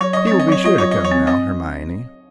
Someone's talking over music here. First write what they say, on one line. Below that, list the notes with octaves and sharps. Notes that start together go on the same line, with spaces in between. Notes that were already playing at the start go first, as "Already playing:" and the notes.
"He will be sure to come now, Hermione."
F#3 C#5
F#3 D#5
C4 C#5
D#5
F#3 C#5
F4 D#5
F#3 C#5
D#5
F#3
C#5
C4
C4 D#5